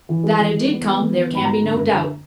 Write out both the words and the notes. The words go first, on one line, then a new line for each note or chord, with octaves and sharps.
That it did come there can be no doubt.
E3
G#3
E3
E3
B3
B3
E3
B3
G#2
B5
F#3 A#5
D3
F#2
D3